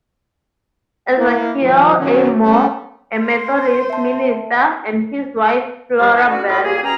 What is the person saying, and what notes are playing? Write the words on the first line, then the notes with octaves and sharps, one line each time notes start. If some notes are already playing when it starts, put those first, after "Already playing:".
Ezekial A. Moore, a Methodist minister, and his wife, FloraBelle.
A#3 E4
G2 A#2 D#3 F3
F#2 A#2 D#3 F#3 A#3 C#4
G3 A3 B3 C#4
C5
E5 A5
C3 G3 G#3 F4 B4
E3 B3 D#4 C5 A5
D3 C#4 F#4
A2 E4 F4 D#5 B5
A#2 A#3 G#4
B2 C#4 G#4 G5 A#5